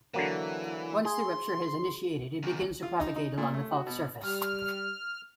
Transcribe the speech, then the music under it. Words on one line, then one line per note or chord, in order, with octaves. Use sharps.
Once the rupture has initiated, it begins to propagate along the fault surface.
D3 E3 F#3 A#3
G#4 C6
E2 D#3
F4
D#4
D#4
A#2
A3
F#4
B2
G3 F6